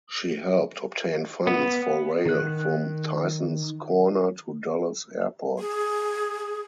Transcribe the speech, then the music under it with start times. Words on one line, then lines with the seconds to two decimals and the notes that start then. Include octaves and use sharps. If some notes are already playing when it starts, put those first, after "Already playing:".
She helped obtain funds for rail from Tysons Corner to Dulles Airport.
1.47 B3
2.26 D#3 F#6
5.59 G#4